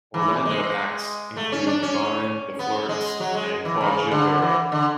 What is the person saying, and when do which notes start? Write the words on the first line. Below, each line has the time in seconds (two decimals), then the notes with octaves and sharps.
Orlando acts include Divine, The Flirts, and Claudja Barry.
0.14 E3
0.45 G#3
1.37 A3
1.52 C#4
1.67 D4
1.82 C#4
2.59 B3
2.89 G#3
3.20 F#3
3.35 G#3
3.65 E3
3.81 C#3
4.11 D3
4.42 E3
4.72 D3